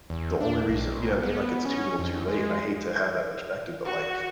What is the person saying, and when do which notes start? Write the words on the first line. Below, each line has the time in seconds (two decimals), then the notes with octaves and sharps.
the only reason" you know what I mean? Like, it's too little too late, and I hate to have that perspective, but, like,
0.10 E2
0.41 D4
0.69 B1
1.23 B3
1.65 C#4
1.99 F2
2.28 G#3
3.85 F#4